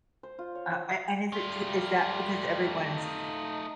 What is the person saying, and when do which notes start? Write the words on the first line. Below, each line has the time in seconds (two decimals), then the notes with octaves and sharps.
Uh, a and is it jus is that because everyone's
0.23 C5
0.39 F4
0.55 C#5
0.71 C5
1.33 G3 A3 F4
2.96 D#4